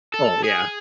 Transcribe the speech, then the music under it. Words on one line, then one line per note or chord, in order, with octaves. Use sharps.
Oh, yeah.
A4
G#4